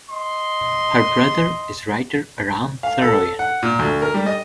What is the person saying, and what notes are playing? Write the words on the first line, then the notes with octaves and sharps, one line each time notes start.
Her brother is writer Aram Saroyan.
D#5 C6
F5
A4
F#5
A#2
D2
A#4
G3
D#5